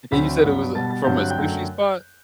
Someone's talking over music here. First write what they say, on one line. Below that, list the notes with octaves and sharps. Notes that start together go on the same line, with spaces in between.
And you said it was, uh, from a sushi spot?
D2 D3 F#3 A3 C4 B5 B6
G2 F#3 B3
B2 G3 B3 A5 A6
A6
G2 D3 F#3 C4 G6
F#6
G5 G6
F#2 D3 F#3 A3